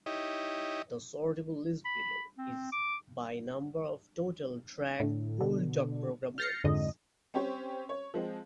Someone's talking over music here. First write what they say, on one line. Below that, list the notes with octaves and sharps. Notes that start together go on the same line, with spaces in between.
The sortable list below is by number of total Drake Bulldog program wins.
D#4 E4 G4 C#5 D#5
B5
C4
D6
A2 D3
B2 D3
F6 G6 A6 A#6 C7 C#7
F2 G#2 D3 D#5
C4 C#4 G4 C5 C#5
C#5
F3 G#3 C4